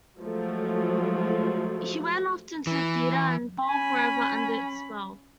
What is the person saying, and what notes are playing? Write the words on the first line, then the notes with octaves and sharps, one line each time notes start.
He went often to the theater and fell forever under its spell.
F3 F#3 G#3 A3
E3
C#4 G#5 B5